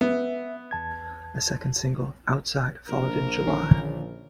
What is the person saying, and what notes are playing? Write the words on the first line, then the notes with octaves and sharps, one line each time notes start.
A second single, "Out-Side", followed in July.
B3 E5
E2 A5 G#6
A#1 A#4
D3 D#3 C#4